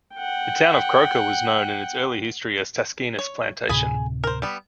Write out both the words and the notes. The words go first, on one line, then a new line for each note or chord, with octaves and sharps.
The town of Croaker was known in its early history as Taskinas Plantation.
F#5 G5
C#5
D2 A2 C3 G#4 G#5 B5
A#4 C5
G3 B3